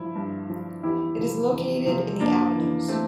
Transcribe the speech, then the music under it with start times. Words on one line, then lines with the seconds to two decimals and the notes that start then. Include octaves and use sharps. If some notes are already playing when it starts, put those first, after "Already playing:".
It is located in The Avenues.
Already playing: G2 F3 E4
0.15 G2
0.50 F3
0.83 E2 E4 G4
1.17 C3 F3
1.51 E2
1.86 C3 F3
2.20 F2 A#3 D4
2.55 E3
2.88 A3 C4